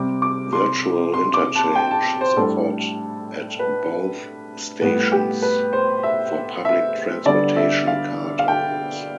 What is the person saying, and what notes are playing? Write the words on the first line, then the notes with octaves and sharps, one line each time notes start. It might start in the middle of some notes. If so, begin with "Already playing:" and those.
"Virtual interchange" is offered at both stations for Public Transportation Card holders.
Already playing: C3 G3 C4 D6
D6
C6
C6
D6
A5
G5
A5
C5
A2 G3 D4 A4
B4
A2 G3 B3 B4
G4
B4
C5
E5
E5
D3 G3 B3 D5
E5
F5
F5
G5